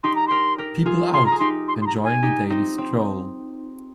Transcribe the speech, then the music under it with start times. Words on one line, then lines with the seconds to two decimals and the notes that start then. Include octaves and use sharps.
People out enjoying a daily stroll.
0.03 D#4 G4 C6
0.16 A#5
0.28 G4 A#4 C6
0.58 G4 A#4
0.86 F4 G#4
1.13 F4 G#4 C6
1.26 A#5
1.32 G#4
1.39 D#4 G4 C6
1.68 C6
1.82 C6
1.87 A#5
2.05 G#5
2.23 D#4 G4
2.50 C4 D#4
2.78 C4